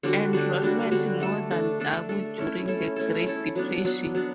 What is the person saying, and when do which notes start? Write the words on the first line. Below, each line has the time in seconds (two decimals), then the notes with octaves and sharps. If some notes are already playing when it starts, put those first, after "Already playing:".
Enrollment more than doubled during the Great Depression.
0.03 D3 G3 D4 F#4
0.33 D3 G3 D4 F#4
0.62 D3 G3 D4 F#4
0.91 D3 G3 D4 F#4
1.20 A3 D4 A4
1.51 A3 D4 A4
1.80 A3 D4 A4
2.09 A3 D4 A4
2.38 A3 C#4 E4 A4
2.67 A3 C#4 E4 A4
2.96 A3 C#4 E4 A4
3.27 A3 C#4 E4 A4
3.55 F#3 B3 D4
3.85 F#3 B3 D4
4.15 F#3 B3 D4